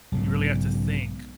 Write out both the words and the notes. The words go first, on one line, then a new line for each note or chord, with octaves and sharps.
you really have to think,
B1 G#2 C#3